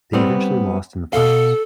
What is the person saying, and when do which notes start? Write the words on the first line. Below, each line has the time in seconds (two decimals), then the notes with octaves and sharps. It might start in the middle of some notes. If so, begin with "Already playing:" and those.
They eventually lost in the finals.
0.13 G3 B3 C4
1.13 B2 A4 F5